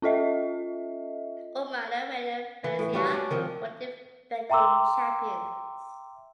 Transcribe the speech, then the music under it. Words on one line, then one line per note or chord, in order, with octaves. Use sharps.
Umana Reyer Venezia were the defending champions.
C#4 F4 A4 D#5 E5
E3
A2
G3 C#4 F#4
C#4 D4
D#3 F3 C4
E5 G5 A#5 C6 D6 E6